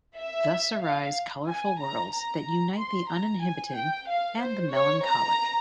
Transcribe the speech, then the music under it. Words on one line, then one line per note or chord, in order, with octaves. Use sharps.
Thus arise colorful worlds that unite the uninhibited and the melancholic.
E5
F5
G#5
A#5
A#5
C6
A#5
G#5
G5
F5
C5
C#5
A#5